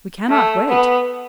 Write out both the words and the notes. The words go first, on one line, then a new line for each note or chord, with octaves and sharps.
"We cannot wait."
A3
B3